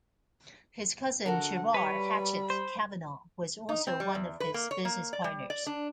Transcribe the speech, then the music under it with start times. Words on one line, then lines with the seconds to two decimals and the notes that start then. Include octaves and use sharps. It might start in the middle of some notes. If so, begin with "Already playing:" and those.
His cousin Gerard "Hatchet" Kavanagh was also one of his business partners.
1.26 D3 F#4 A4 A#4 F#5
1.74 G3 B4 C#5 B5
2.50 C5
3.69 D#4
3.87 C4
4.00 G3
4.15 E2
4.40 B4
4.54 A#3
4.71 C#5
4.85 A#3
5.13 D5
5.24 G3
5.50 D5
5.67 D4